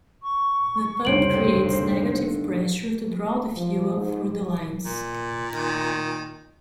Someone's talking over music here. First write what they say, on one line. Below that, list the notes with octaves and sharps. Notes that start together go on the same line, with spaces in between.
The pump creates negative pressure to draw the fuel through the lines.
C#6
F1 C#2 G3 C5 C#5 D7 F#7
G2 D3 D#3
F3
G#2
A#2
D#3